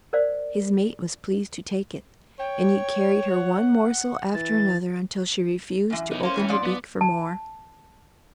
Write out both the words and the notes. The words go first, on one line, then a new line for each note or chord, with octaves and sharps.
His mate was pleased to take it; and he carried her one morsel after another until she refused to open her beak for more.
A#4 C5 D5 F5
C#5 G5
F#5
E3 A6
F#2 E3
B3 D#4
A#3 C#4 C5
A2 E3 G3
G#2 F3 D5
B3
A5